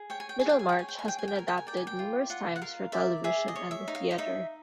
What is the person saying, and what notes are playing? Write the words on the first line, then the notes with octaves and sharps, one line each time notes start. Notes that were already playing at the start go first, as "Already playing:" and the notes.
"Middlemarch" has been adapted numerous times for television and the theatre.
Already playing: G#4
C#5 G5
G#5
G5
G#4 G#5
G5
G#5
C#5 G5
G#5
G5
G#5
G#4 G5
G#5
G5
A#4 G#5
G5
G#5
D5 G5
G#5
G5
F4
F4 F#5
F#5
A#4 F5
D5 E5
G#4 E5
D#5
C#5
E5
D#4
F5
D#5
D#4 E5